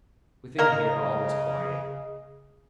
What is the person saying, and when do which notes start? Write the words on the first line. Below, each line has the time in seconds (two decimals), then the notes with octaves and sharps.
Within here all was quiet.
0.58 C#3 A#3 A#4 D#5